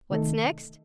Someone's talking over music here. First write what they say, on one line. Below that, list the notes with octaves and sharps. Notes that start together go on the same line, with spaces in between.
What's next?
C3 D#3 A3 D#4 A4